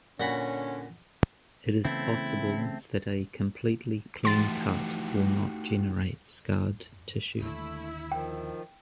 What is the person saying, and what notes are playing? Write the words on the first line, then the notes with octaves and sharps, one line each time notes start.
It is possible that a completely clean cut will not generate scarred tissue.
A#2 D3 C#4 F#4 B5
C#3 E3 A3 B3 C4 E4
E3 F3 A3 D#4 F#4 G4 C6 A6
D#2 D3 A3 E4
D#3 F3 G5